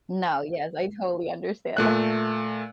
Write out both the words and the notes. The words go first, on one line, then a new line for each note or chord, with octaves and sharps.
No, yes, I totally understand that.
A#2 A3 F#6